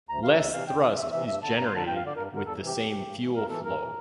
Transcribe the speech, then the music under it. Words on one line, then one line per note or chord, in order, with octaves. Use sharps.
Less thrust is generated with the same fuel flow.
D2 A#5
C3 E3 F5
D2 E5
C3 E3 F5
E2 G5
E3
C3
E2 E5
C3 E3 E5
G2 E5
D3 A5
G2 A#5
C6
D3 A5
G2 G5
F5
D3
D5
G2 A#4
D3 A#4
E2 A4
C3 E3
G4
E2
C3 E3
G2
E3
G2 A#4
E3 A4
G2 A#4
E3